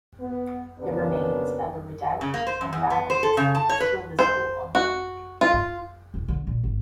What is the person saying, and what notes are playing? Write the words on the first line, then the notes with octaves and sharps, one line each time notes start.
The remains of a redoubt and batteries are still visible on the peak.
B3
D#2 C#3 B3 D4 A#4
C#3
A#3
C5
F#2
E2
B3
C5
A4
C#3
A5
C#5
B4
C5
F#4
F4
E1
D3
A#2
G#1